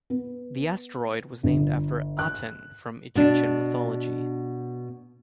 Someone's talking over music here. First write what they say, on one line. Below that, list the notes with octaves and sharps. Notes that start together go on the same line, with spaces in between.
The asteroid was named after Aten from Egyptian mythology.
B3
G1
F#6
B2 D4